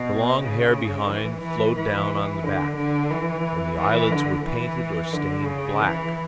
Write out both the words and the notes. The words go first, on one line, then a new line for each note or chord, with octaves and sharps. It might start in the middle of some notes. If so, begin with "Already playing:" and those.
The long hair behind flowed down on the back: and the eyelids were painted or stained black.
Already playing: B2
C#3
E3
E3
E3
D3
D3
E3
E3
D3
E3
D3
C#3
E3